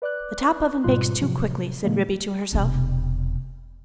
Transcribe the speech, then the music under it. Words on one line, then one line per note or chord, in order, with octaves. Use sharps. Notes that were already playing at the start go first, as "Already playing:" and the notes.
"The top oven bakes too quickly," said Ribby to herself.
B4 D5 D6 F#6
G#2 B2 G3 F4 C6 F#6
A2 C3 F3 F#3
A#2 D3 E3 F#3 G#3 A#3
E1 C3